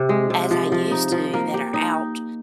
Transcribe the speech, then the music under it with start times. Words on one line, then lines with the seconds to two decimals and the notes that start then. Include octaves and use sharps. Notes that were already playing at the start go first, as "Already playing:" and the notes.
as I used to that are out
Already playing: C3
0.09 G#3
0.30 C3
0.51 F3
0.72 F3
0.91 D#4
1.12 F3
1.34 A#3
1.54 G4
1.74 D#4